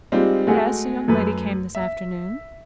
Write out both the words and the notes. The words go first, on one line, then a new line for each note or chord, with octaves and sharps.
"Yes; a young lady came this afternoon."
G3 G#3 C4 D#4 F4
G#3 A3 F#4 G#4
F#2 A3 B4
E5